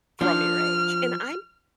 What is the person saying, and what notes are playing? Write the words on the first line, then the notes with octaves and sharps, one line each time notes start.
from your age, and I'm
F3 D4 F4 F6